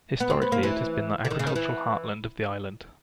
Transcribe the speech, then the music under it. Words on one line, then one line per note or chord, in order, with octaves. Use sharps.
Historically, it has been the agricultural heartland of the island.
B3
C4
B3
A#3
E3
D3
D#3
C#3
D#3
E3